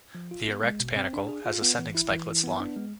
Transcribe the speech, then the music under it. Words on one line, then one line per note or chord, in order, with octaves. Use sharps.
The erect panicle has ascending spikelets long.
F3
F4
B3
G#3
B2
C4
D4
G#4
F4
B3
E3
E4
E3
E4
B3
D4
G#3